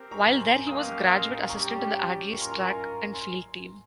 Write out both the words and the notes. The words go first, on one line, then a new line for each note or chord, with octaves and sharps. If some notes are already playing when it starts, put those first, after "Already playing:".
While there he was graduate assistant on the Aggies Track and Field team.
Already playing: C4 G4 A#4
A#5 C#6
G#5 C6
A#3 C#4 G4 A#4 F5 C6 D#6
C6 D#6
G3 C#4 G4 A#5 C#6
C#4 F4 A#4 C#6
C6
A#5
G#5 C6
G#5 C6